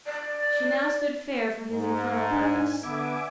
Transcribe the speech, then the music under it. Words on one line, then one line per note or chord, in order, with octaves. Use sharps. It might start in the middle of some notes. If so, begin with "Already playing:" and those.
She now stood fair for his infernal purpose.
D5
G#2
D4 G#5
D3 B3 E5 G#5 D6